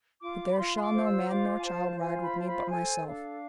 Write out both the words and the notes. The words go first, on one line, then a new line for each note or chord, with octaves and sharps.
But there shall no man nor child ride with me, but myself.
F4 D6
B5
F4 C6
C6
D6
C5
E6
F4 D6
G#5
C5 A5
F4 G#5
A5
B5
C5 A5
B5
A4 G#5
D4 F5